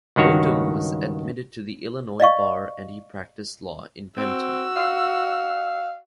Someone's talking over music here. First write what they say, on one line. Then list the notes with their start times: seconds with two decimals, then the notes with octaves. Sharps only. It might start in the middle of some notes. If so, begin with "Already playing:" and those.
Odum was admitted to the Illinois bar and he practiced law in Benton.
0.16 C#2 G2 D#3 F#4 C#5
2.20 D5 D#5 F5 C#6
4.17 C4 F#4 E6
4.76 F5